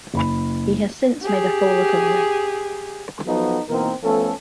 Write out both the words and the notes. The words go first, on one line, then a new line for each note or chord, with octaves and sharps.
He has since made a full recovery.
F#1 B5
G4 G#4
F3 F#3 B3 D#4 F#4 A4
B2 E3 A#3 C4 D#4 A#4
F3 A3 B3 C#4 A4